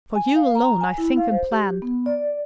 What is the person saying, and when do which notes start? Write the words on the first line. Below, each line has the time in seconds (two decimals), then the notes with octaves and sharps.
For you alone, I think and plan.
0.15 G#5
0.36 F5
0.55 A#5
0.81 G#5
0.98 E4
1.17 F5
1.31 C5
1.52 G4
1.82 B3
2.06 D5